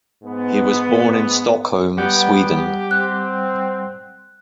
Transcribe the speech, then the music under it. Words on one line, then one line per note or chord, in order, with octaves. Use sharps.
He was born in Stockholm, Sweden.
G#2 B3
G3 B3 G4 F#5 G6
C4 F#6